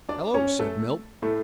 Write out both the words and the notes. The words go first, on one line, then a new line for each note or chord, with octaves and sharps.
"Hello!" said Milt.
D4 D5
C#4 C#5
A3 A4
A2 A3